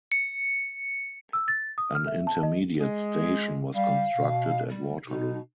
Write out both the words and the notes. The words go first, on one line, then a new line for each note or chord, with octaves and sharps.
An intermediate station was constructed at Waterloo.
C#7
E6
A6
D#6
F6
E5
A5
D#5
G#3 G#4
G3 F5
B2
G3
B2 D#4